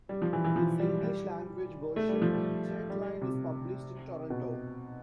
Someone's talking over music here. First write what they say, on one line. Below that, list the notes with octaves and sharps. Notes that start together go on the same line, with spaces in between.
Its English language version, Chatelaine, is published in Toronto.
G3
F3
E3
E3
F3
G3
G3
A3
G3
F3
G3
G3
C3
B2